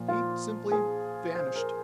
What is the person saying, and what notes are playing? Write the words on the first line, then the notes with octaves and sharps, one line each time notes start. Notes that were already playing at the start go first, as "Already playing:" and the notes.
He simply--vanished.
Already playing: A#2 F3
F4
G#4
C5
A#4